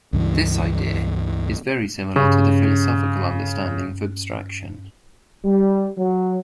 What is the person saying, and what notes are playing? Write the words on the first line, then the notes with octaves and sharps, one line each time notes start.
This idea is very similar to the philosophical understanding of abstraction.
C#2 G2 E3
G2 C#3 C#4 C#6
G3
F#3